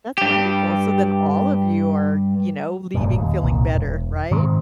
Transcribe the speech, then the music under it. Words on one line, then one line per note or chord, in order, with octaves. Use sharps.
That's wonderful. So, then all of you are, you know, leaving feeling better, right?
G2 G4
E1 G2 A#2
D#2
D#1 C2 A#2
E1
G#2 D#3 C4